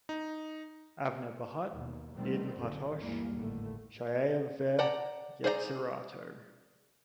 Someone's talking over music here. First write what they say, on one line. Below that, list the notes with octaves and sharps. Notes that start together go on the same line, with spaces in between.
Avner Bahat, Eden Partosh: Chayav ve-yetsirato.
D#4
D#2 B2
B2 D#3 G3 A3 B3 C4
A1 F#2 D3
D2 G2 E3 G3 G#3 A#3
G#1 D#2 A2 D3 A3
D5 F#5 G5 A5 A#5
G#4 C5 D5 E5 A#5